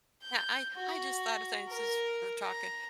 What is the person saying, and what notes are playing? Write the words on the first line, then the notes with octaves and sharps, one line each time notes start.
Yeah, I I just thought of things since we're talking
G6
F#4
A#4
A#5